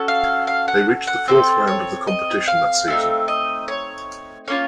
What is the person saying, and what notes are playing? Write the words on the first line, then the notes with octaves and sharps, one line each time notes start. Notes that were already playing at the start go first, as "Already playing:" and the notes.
They reached the fourth round of the competition that season.
Already playing: C#4 F#4 A4
F5
F5
F#5
F#5
C4 F#4 A4 C5
C#5
D#5
F5
A3 C4 D#4
D#5
C#5
A#3 C#4 F4 C#5